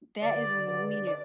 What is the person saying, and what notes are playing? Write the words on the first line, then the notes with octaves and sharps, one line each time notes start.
That is weird.
G2 D3 D5
G2 D3
D5